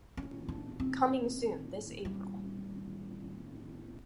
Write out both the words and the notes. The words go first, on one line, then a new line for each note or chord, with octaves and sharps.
Coming soon this April.
C#4
D4
C4
G3